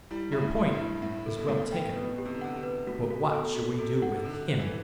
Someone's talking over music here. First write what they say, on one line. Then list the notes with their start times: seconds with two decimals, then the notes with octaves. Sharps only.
"Your point is well taken; but what shall we do with him?"
0.11 G3 E4
0.32 G2 E5
0.41 A2
0.57 E5
0.73 G2
0.80 E4
1.02 A2 E5
1.26 A4
1.37 B2
1.48 A2 A4
1.72 G5
1.94 B2 B4
2.03 A2
2.12 B2
2.18 G4
2.25 C3
2.35 D3
2.41 C3 F#5
2.56 C3
2.63 B4
2.87 A2 F#4
3.10 F#4
3.32 B2 A4
3.55 F#4
3.78 C3 A4
4.02 F#5
4.16 C3
4.25 D3 A4
4.48 C5
4.59 E3